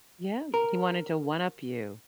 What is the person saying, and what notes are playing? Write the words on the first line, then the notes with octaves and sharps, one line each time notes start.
Yeah. He wanted to one up you.
A#4